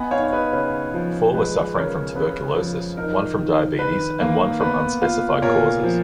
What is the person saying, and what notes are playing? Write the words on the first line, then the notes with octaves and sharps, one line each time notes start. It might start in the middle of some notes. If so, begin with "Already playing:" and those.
Four were suffering from tuberculosis, one from diabetes, and one from unspecified causes.
Already playing: B3 D#5 F#5 G#5 B5
D#4 C#5 F5
C#5
B4 D#5
C#3 B4
F3
G#3 B4
C#3 A#4 C#5
C#3 B4
F3
D#4 A#4
D#3
D#3 B4
A#3
B3 B4
F4
A#2 A#4 C#5
F3